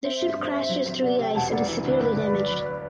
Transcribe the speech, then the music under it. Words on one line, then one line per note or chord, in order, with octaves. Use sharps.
The ship crashes through the ice and is severely damaged.
C4 C5 E5
G2
G2
C4
F#3
C4
C3 D5 F#5
C3 E5 G5
E1 F#5 A5
E1 D5 F#5
E3
D2 B4 D5
G1
G1
F#3
F#3